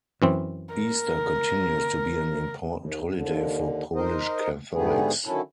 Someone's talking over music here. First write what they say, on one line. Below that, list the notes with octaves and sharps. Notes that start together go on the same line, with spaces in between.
Easter continues to be an important holiday for Polish Catholics.
F#2 E3 C4
A#4
D#2
D#2 D3
D#4 A#4 C5 D#5
G#2 D3 G3 A3 B3 G#4
D3 D#3 F#3 C#4 E4 A4